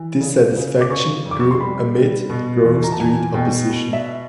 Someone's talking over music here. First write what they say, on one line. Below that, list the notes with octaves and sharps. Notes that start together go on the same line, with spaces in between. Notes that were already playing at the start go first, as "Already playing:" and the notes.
Dissatisfaction grew amid growing street opposition.
Already playing: E3
C#3
C#3
D6
C#3 C#6
F2
D6
C#6
C6
G3 B5
G3
B2
E2
A#5
A5
E2 G#5
B2 G5
B2
E5